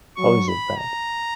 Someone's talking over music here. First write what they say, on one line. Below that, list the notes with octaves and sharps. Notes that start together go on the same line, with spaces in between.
How is it bad?
F#3 C#6
B5
A#5